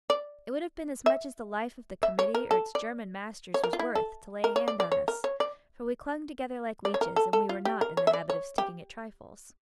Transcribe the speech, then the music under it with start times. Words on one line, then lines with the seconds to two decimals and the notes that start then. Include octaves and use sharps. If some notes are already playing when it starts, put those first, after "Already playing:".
It would have been as much as the life of the Committee or its German masters was worth to lay a hand on us, for we clung together like leeches and we were not in the habit of sticking at trifles.
0.10 D5
1.06 E5
2.03 E5
2.19 C#5
2.35 A#4
2.51 A4
2.75 D5
3.54 C#5
3.64 A#4
3.73 F4
3.79 E4
3.95 A4
4.44 A#4
4.56 C#5
4.68 D5
4.80 D5
4.92 C#5
5.08 A#4
5.24 C#5
5.40 D5
6.85 D5
6.94 C#5
7.01 A#4
7.16 A4
7.33 A4
7.49 F4
7.65 G4
7.81 A#4
7.97 C#5
8.07 E5
8.13 D5
8.30 C#5
8.58 G4